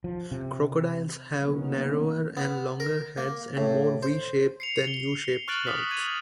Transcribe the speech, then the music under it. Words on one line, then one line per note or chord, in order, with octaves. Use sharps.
Crocodiles have narrower and longer heads, and more V-shaped than U-shaped snouts.
F3
C3
C3 D#3 F#3 A#3 B3 C#4
B3
A#4
A#3
A2
C5
C7 C#7 F7
G7
C#6 F6 F#6 A6 D7 F#7
D6 D#6 F6 B6
G#6 D#7 F7